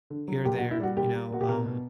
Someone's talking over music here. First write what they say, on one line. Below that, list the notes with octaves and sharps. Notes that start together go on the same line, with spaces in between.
here or there, you know, um,
D3
F#3
A#2 G4
F#4
A#2
E4
G3 F#4
A#2 G4
A#3
A#2 F#4
G4
B2 A#4
B2